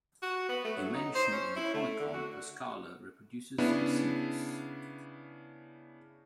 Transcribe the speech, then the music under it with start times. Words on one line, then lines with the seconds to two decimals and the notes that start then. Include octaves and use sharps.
A mention in the Chronicon Paschale reproduces Eusebius.
0.22 F#4
0.49 B3
0.64 A3
0.76 F#3
0.94 D#4
1.15 C5
1.32 C#4
1.56 E4
1.74 A3
1.99 D3
2.14 F#4
3.58 C#3 B3 D4 E4